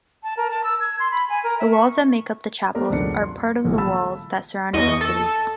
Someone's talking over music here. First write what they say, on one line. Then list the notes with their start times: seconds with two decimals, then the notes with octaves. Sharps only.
The walls that make up the chapels are part of the walls the surrounded the city.
0.24 A5
0.37 A#4
0.51 A5
0.64 E6
0.80 G#6
1.00 C6
1.11 B5
1.29 G#5
1.44 A#4
1.59 E5
1.72 C#6
2.75 A3 B3 G4 A#4 C5 D5
2.89 E1 C#2 F#2 D4 C#7
3.23 C6
3.64 A#1 D3 E3 G#3
3.77 A4 F5 A5 B5 E6 A6
4.73 E2 D#5 C#6
5.01 A4